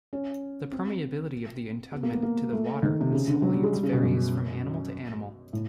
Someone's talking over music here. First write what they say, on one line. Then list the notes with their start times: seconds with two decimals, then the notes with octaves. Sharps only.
The permeability of the integument to water and solutes varies from animal to animal.
0.13 C#4
0.72 C4
1.92 B3
2.03 A#3
2.12 B3
2.23 A#3
2.53 A3
2.83 D#3
3.01 C3
3.12 C#3
3.28 D3
3.42 F#3
3.53 G3
3.63 G#3
3.73 G3
3.83 C#3
3.93 B2
4.03 F#2
5.53 A2